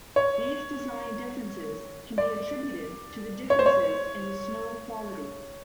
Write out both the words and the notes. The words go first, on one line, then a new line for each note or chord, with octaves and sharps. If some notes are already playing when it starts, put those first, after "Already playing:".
These design differences can be attributed to the differences in the snow quality.
C#5
D5
C#5
C5
C#5